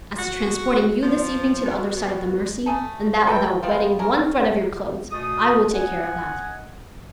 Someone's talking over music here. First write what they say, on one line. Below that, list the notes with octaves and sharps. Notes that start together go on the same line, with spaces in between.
As to transporting you this evening to the other side of the Mercy, and that without wetting one thread of your clothes, I will take care of that.
F#4
F3
B2
B2
A3 G#4 A4
A4 B4 E5 G5
G3 B3 C4 F4
C#4 D4 A#4
D2 B2 A3 D#6
D#5 F#5 G#5